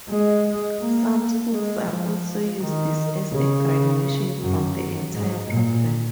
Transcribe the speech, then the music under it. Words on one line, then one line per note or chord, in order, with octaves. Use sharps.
Some schools also use this as a graduation from the entire program.
G#3
A#3
G#3
F3
D#3
C#3
F#2
G#2
A#2